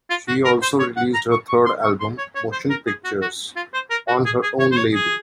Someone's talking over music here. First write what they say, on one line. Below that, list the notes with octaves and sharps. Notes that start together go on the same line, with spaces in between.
She also released her third album "Motion Pictures", on her own label.
F4
F#4
A#4
C5
C#5
F#5
A#5
C#6
C#6
C6
C#6
C6
C#5
C#5
C5
A#4
G#4
F#4
F#4
F4
C5
A#4
F#4
G#4
G#4
C#5
C5
C#5
G#4